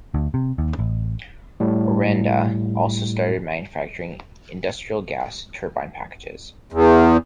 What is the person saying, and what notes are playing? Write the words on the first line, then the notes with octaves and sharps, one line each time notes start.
Orenda also started manufacturing industrial gas turbine packages.
D2
C3
D#2
A1
A2 G3
E2